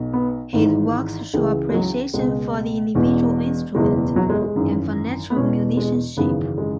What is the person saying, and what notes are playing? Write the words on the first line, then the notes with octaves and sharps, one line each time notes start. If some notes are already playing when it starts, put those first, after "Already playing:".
His works show appreciation for the individual instrument and for natural musicianship.
Already playing: B1 B2
B3
G#1 G#2 E3
C#2 C#3 E3 G#3
G#3
F#3
C#2 B2 G#3
E1 E2 B2
F#1 E2 B2 G#3
F#3
G#3
G#3
G#1 F#2 E3
B3
E1 E2 B2 C#4
G#3
G#1 F#2 C#3 E3 B3
G#3